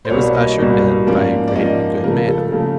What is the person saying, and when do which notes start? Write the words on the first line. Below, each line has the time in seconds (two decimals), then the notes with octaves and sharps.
It was ushered in by a great and good man.
0.05 C5
0.10 C2 B2 G3 A#3 C#5
0.35 D#5
0.59 C2 B2 G3 A#3
1.07 G#2 F3 A#3 C#4 D5
1.48 D5
1.55 G#2 F3 A#3 C#4 D#5
2.04 C#3 F3 A3 A#4
2.28 A4
2.52 C#3 F3 A3